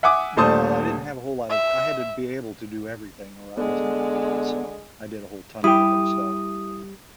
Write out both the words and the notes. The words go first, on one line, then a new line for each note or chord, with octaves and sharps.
Well, I didn't have a whole lot of I had to be able to do everything or I wasn't gonna eat, so I did a whole ton of different stuff.
E5 F#5 G#5 D6 D#6
D#1 A#2 A3 C5 A5 D#6
E5
D3 G#3 B3
G3 E4 G4 D#6